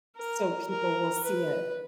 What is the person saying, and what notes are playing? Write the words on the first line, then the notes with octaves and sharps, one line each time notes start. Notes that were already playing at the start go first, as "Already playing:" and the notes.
so people will see it.
A#4
A#4
B4